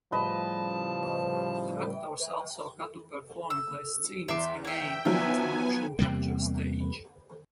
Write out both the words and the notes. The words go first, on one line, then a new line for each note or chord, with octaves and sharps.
The actors also had to perform their scenes again on the motion capture stage.
A2 C#3 F3 G3 B4 D#5 A5 B5
E6
E2 E5 C6 D6
A#3 E5 G5
D#3 F3 F#3 B3 E5 G#5
E2 C3 G3 A#3